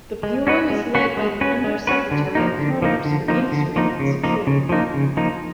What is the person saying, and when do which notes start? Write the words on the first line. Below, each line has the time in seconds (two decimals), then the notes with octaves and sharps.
The Bureau is led by the Under Secretary of Commerce for Industry and Security.
0.23 G#3
0.47 C#4 F#4 B4
0.70 G#3
0.95 C#4 F#4 B4
1.17 G#3
1.41 C#4 F#4 B4
1.64 G#3
1.87 C#4 F#4 B4
2.11 D3
2.35 F3 A#3 D#4
2.59 D3
2.82 F3 A#3 D#4
3.05 D3
3.28 F3 A#3 D#4
3.52 D3
3.76 F3 A#3 D#4
4.00 C#3
4.24 F3 A#3 D#4
4.47 C#3
4.69 F3 A#3 D#4
4.94 C#3
5.17 F3 A#3 D#4